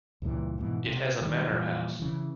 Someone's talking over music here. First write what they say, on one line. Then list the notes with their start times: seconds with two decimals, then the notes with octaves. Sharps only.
It has a Manor house.
0.22 C#2 G2 A#2 E3
0.58 G#2 B2 E3
0.86 C3
1.21 D#3 F3 G3
1.48 A#2 E3 F3 G3
2.00 C#3 E3